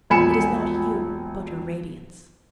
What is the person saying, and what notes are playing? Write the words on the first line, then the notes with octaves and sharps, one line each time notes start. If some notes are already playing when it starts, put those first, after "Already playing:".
It is not you, but your radiance.
E1 A#1 G#5 B5 C#7 E7